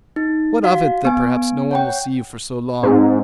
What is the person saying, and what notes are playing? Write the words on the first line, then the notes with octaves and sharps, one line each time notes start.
What of it that perhaps no one will see you for so long?
D#4
F#4 F5
B3 G#5
C#5 F#5 G5
G#2 C4